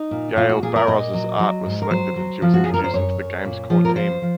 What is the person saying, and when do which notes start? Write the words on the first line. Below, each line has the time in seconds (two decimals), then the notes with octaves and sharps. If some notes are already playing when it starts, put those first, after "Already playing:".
Yaël Barroz's art was selected and she was introduced into the game's core team.
Already playing: D#4
0.11 A#2
0.36 A#2 F4
0.49 F#4
0.62 A#2 G#4
0.76 A#4
0.88 A#2 D#5
1.14 F#3
1.39 F#3
1.66 G#2
1.82 A#4
1.91 F#3 C5
2.16 F#3
2.42 F3
2.54 F#4
2.64 F#2 G#4
2.74 A#4
2.84 C5
2.94 F#2 C#5
3.19 F#2
3.45 A#2
3.70 F3
3.85 A#4
3.96 F3 C5
4.22 F3